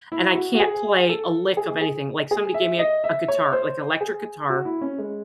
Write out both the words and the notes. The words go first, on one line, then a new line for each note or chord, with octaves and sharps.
and I can't play a lick of anything. Like somebody gave me a a guitar- like electric guitar.
E4
F#4
F#4
G#4
A4
G#4
G#4
G#4
E5
D#5
E5
C#5
C5
G#4
F#4
E4
C#4
G#3